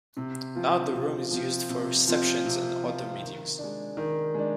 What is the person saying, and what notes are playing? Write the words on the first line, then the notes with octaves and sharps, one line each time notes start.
Now the room is used for receptions and other meetings.
C3
F3 C4 F4
C3
F3 C4 F4
C3
F3 C4 F4
C3
F3 C4 F4
D#3
G#3 D4
D#3
G#3 D4